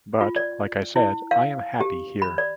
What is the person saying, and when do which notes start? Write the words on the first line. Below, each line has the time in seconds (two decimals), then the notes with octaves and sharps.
But like I said, I am happy here.
0.21 F4
0.36 D5
0.96 E4
1.31 F5
1.80 G4
2.22 B5
2.38 D5